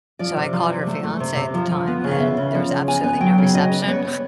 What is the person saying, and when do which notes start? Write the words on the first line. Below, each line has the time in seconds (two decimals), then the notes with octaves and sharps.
so I called her fiancé at the time, and there was absolutely no reception.
0.19 F3 D5
0.37 C3
0.53 F3
0.70 C3
0.87 A3
1.03 A3
1.20 C3
1.36 C3
1.54 F3
1.70 F3
1.88 B3
2.04 C#3
2.11 F5
2.20 B3 E5
2.37 C#3
2.54 F3
2.71 C#3
2.88 B3 G#5
3.04 B3
3.21 F#3 G5
3.38 C#3
3.55 C#3 D#5
3.72 B3
3.81 D5
3.88 B3 C#5
4.05 B3